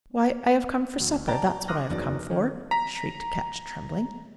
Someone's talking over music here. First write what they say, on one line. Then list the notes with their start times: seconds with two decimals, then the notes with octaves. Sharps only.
"Why, I have come for supper, that's what I have come for," shrieked Ketch, trembling.
1.00 D2
1.27 D5 G5 A5 A#5
1.68 C6 D6 D#6 F6 F#6 A#6
1.90 F#1 E2 F#3 D#4 D5
2.30 D#3 C#4
2.71 A#5 B6